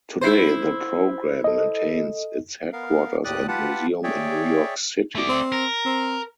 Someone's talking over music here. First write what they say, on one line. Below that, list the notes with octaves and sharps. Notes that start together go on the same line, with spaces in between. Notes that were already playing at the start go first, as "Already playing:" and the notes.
Today the program maintains its headquarters and museum in New York City.
E4 C5
A4 D#5
B3 A#4 F5
D#2 A2 G4 D5 D#6 F#6
F4 G4 B4 F#5 A5
G#4 C#5 D5 E5 G5
A3 D5
C4
A#4
C4